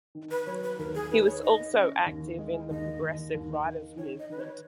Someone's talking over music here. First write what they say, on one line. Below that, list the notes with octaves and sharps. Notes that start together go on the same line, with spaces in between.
He was also active in the Progressive Writers Movement.
D#3
B4
F#3 C#5
B4
D#2 A#4
G#4
D#3 B4
C#5
D#3 D#5
C#4
D#2
G#3
D#2 D#5
D#2
D#2
D#3
D#3 C#5
D#5
D#3 B4
C#5